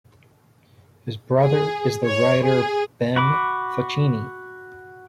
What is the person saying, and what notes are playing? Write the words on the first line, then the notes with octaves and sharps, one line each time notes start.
His brother is the writer Ben Faccini.
G#4
C#5
G#4
F#4 B5 D6